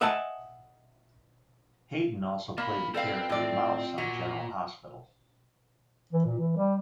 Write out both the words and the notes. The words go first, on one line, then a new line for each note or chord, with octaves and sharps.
Hayden also played the character of Mouse on "General Hospital".
D#5 E5 F#5 G#5 A5
A#3 D4 B5
C4 A4 B4 D5 F5
A2 F4 D5
A#2 F#4
E3
A#2
E3
G3